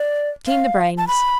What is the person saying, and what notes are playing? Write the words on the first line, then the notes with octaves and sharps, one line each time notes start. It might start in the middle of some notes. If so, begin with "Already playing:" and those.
Clean the brains.
Already playing: D5
F5
A5
B5